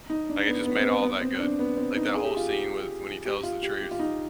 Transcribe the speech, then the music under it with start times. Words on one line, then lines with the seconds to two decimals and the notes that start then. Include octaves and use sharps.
like, it just made all that good. Like that whole scene with when he tells the truth
0.10 D#4
0.29 D4
0.47 B3
0.65 B3
0.76 C4
0.85 B3
1.02 B3
1.21 C4
1.40 D4
1.59 B3
1.77 C4
1.96 D#4
2.14 G#4
2.25 G4
2.37 F4
2.48 G4
3.25 G4
3.43 F4
3.63 G4
3.81 G4
3.91 F4
3.99 D#4